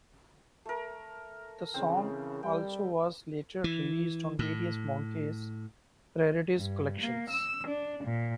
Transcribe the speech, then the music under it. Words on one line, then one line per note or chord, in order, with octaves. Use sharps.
The song also was later released on various Monkees rarities collections.
A3 A#4
C#3 E3 C4
G3 G5
E3
A2
G2
A#3
E6
D4
A#2